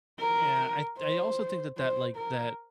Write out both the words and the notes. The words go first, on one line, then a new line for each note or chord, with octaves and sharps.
Yeah, I th I also think that, like, that,
A#4
C5
C5
A#4